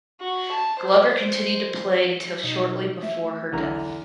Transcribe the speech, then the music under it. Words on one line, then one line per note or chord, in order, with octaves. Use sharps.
Glover continued to play until shortly before her death.
F#4
A5
C5
B2 D#4
A3 E5
B1 E2 D3 A#5